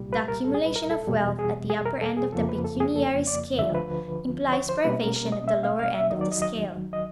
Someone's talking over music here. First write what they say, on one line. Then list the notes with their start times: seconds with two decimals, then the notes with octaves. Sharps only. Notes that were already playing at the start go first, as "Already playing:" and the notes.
The accumulation of wealth at the upper end of the pecuniary scale implies privation at the lower end of the scale.
Already playing: C2 A#2 G3
0.13 B4
0.28 A#4
0.44 A4
0.54 G#4
0.65 B4
0.76 A#4
0.91 A4
1.07 E2 B2 G3
1.39 G#4
1.70 G#4
1.85 A#4
2.01 A4
2.17 G#4
2.32 F2 C#3 F3 A#3 A4
2.49 B4
2.64 A4
2.80 G#4
2.96 A4
3.27 D5
3.59 D2 D3 F3 E5
3.74 B4
4.53 C#5
4.69 C5
4.84 B2 G3 A#3 C#4 B4
5.00 A#4
5.16 A#4
5.32 D#5
5.48 E5
5.63 F5
5.79 F5
5.95 E5
6.10 D#2 D#3 F#3 D#5
6.21 D5
6.32 D#5
6.42 D#5
6.93 D#5